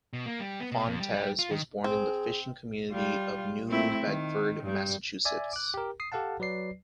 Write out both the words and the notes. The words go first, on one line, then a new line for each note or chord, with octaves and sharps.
Fontes was born in the fishing community of New Bedford, Massachusetts.
B2
A#3
G3
B3
B2
F2
G3
G3
F4
D#3
C4 G#4
G3 F4
A3 C4 E4
D#3
G2 G3
D5 E5 G#5
D6 F#6
G4 A#4
D#6 C7
G4 A4 F5 F#5 A5
F#3 B4 D5 C7